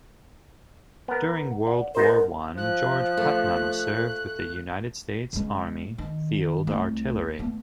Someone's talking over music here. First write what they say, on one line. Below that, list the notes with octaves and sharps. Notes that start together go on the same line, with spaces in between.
During World War One, George Putnam served with the United States Army field artillery.
B3 A#4
D5 F#5
B3 D#4 A#4 C5
F3 F#6
A3
C#3 G#3
D#3
C2 A3
A3 B3